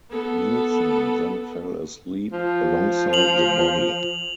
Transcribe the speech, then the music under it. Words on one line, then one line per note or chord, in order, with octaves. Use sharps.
Nilsen then fell asleep alongside the body.
B3 A4
F3
F7 F#7